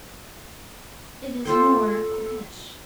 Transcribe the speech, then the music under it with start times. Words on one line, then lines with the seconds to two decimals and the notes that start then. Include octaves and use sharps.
It is more coquettish.
1.45 F4 A4 C5 G5